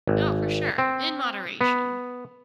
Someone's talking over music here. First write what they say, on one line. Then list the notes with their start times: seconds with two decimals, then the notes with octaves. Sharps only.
Oh, for sure, in moderation.
0.07 G#1
0.78 C4
1.61 B3